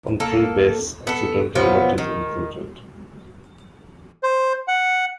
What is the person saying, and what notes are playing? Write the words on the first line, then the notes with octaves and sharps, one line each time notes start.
One free bass accidental note is included.
A#3 A4
B3 A4
B2 F3 F#3 B3
D#3
C5
F#5